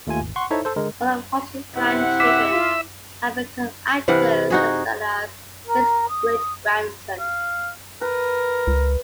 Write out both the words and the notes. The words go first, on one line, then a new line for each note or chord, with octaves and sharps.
All of Huston's grandchildren have become actors, as well as his great-grandson.
D#2 A3 F4 G#5
G#1
F#5 C6 C#6
D#4 E4 A4 C5 C#5 E5
A4 C5
D3 G#3 A#4
C3 E4 F#5
E5 D6 B6
F4
C3 E3 F5 F#5
D#4 F#4 G#4
A#4
D#6
F5
A#4 B4
C#2